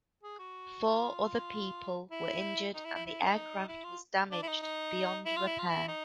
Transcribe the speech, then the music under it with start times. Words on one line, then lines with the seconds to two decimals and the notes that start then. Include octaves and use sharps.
Four other people were injured and the aircraft was damaged beyond repair.
0.23 G#4
0.39 F#4
0.85 F4
2.11 E4
2.74 D#4
2.84 E4
2.95 E4
3.06 E4
3.21 D#4
3.68 E4
3.84 F4
4.31 D4
4.42 E4
4.47 D#4
4.62 D#4
5.25 E4
5.36 F4
5.47 E4
5.59 F4
5.69 E4
5.88 D#4